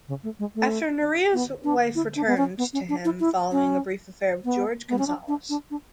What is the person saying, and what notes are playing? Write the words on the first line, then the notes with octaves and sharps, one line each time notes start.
After Narea's wife returned to him following a brief affair with Jorge Gonzalez.
C#3
A3
G#3
A3
B3
D4
E4
D4
B3
C#4
B3
C#4
D4
E4
E4
C#4
B3
B3
C#4
D4
D4
D4
D4